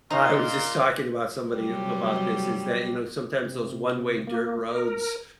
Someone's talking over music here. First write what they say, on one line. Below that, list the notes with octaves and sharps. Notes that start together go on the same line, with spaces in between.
I was just talking about somebody about this is that, you know, sometimes those one-way dirt roads,
A#2 D#4 F5 A#5 C6
C3 F#3 G3
C3
A#3
A#4